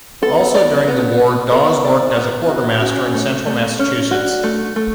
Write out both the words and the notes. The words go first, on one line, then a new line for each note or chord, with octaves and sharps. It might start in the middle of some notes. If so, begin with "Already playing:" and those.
Also during the war, Dawes worked as a quartermaster in central Massachusetts.
B3 A4
D5
B3
F#4
B3 A4
D5
B3
F#4
C#4 F#4
A3
A3
C#4
D4 F#4
A3
A3